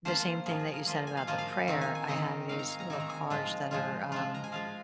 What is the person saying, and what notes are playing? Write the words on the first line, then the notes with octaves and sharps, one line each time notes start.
the same thing that you said about the prayer, I have these little cards that are, um,
F3 A#3 F4 C5
F3 A#3 F4 G#4
G#4
A#4
F3 A#3 F4 D#5
G#5
F5
F3 A#3 F4 D#5
F5
D#3 C4 D#4
G#5
G#5
D#3 C4 D#4 D#5
D#3 C4 D#4 F5
A#5
G#5
A#5
D#3 C4 D#4 G#5
A#5
G#5
F3 G#3 F4
F3 G#3 F4
F3 G#3 F4
A#5
G#5
F3 G#3 F4 F5